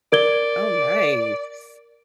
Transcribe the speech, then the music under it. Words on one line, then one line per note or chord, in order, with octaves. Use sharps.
Oh, nice.
A#4 D5 G#6 G7